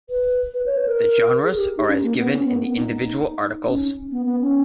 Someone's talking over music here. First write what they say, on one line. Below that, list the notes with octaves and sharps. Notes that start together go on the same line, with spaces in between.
The genres are as given in the individual articles.
B4
B4
C#5
B4
A#4
G#4
G#4
G4
D#4
C#4
A#3
B3
C#4
B3
A#3
B3
D#4
C#4
B3
B3
C#4